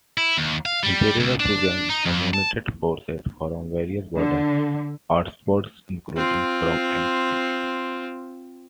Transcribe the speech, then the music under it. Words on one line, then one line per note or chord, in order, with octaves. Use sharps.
Emperor Suzong summoned forces from various border outposts, including from Anxi.
E4
D#2
F5
G3
C#2
D4
D#4
F2
A5
D3
C4 F4